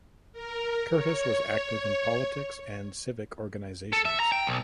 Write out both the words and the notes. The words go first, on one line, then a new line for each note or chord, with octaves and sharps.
Curtis was active in politics and civic organizations.
A#4
C#5
A4
E5
A#5
G5
B1